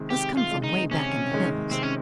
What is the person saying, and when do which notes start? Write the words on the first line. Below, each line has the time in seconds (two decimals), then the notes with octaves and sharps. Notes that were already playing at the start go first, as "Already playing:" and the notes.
"Must come from way back in the hills."
Already playing: C3 D#3 G#3
0.10 C3 G4
0.37 F4
0.51 D#3 G#3
0.64 D#4
0.91 C3 C#4
1.32 D#3 G#3
1.71 C3 C4
1.83 C#4